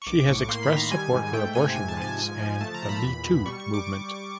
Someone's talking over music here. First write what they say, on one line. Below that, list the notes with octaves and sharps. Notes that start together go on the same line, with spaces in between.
She has expressed support for abortion rights and the Me Too movement.
C#6
B1 D6
A2 C#6
A#3 C6
B5
D#3
A#5
G3 G#5
G#2
A3 G5
C3 G#5
G#2 G#5
A5
F3 G#5
G#2
F3
A3 A5
A#5
A#2
B5
E2
B2
G3 C#6
C#6
D6